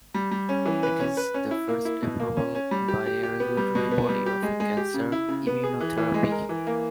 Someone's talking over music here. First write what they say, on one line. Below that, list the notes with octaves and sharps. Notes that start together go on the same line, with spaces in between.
It is the first approval by a regulatory body of a cancer immunotherapy.
G3
G3
C#4
E3
B4
C#4
B4
C#4
E4
A#3
E4
B2
A#3
C#4
C#4
G3
G4
G4
G4
B3
G3
B2
B3
G3
G4
G#3
G#3
G4
C#3
E4
C#3
B3
G#4
E3
E3
G#3
A#4
E3
A#3